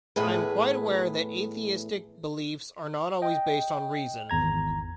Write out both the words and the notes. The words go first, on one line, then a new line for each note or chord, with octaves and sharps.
I am quite aware that atheistic beliefs are not always based on reason.
E2 A2 G#4 B4
D#5 G5
G#1 E2 A#5 G#6